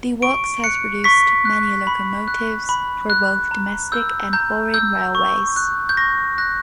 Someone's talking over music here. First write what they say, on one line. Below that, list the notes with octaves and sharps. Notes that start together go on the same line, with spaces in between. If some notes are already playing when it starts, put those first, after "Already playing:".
The works has produced many locomotives for both domestic and foreign railways.
C#6 D7
F#6 C#7
C#6 B6
F#6
B5
F#6
B5
F#6
A#5
E6 G6
A#5 G6
E6 G6
C#6
F#6
G6
C#6 A#6
F#6 A#6